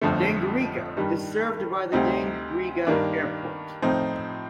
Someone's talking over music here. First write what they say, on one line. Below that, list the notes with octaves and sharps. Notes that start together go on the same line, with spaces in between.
Dangriga is served by the Dangriga Airport.
G1 F2 D3 F3 A3
G2 D#3 G3
D2 C3 G3 C4 D#4
G2 D#3 A#3 D4
A2 F3 C4 D#4